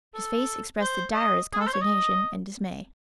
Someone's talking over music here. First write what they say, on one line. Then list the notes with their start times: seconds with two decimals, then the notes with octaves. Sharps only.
His face expressed the direst consternation and dismay.
0.14 A4
0.81 C5
1.14 D#5
1.53 G#4
1.60 A4
1.67 C5
1.73 C#5
1.82 D#5